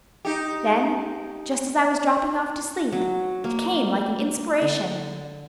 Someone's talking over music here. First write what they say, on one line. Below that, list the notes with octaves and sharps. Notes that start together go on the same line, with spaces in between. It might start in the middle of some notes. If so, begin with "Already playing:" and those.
Then, just as I was dropping off to sleep, it came like an inspiration.
D#4 G4
F#3
A#3
D3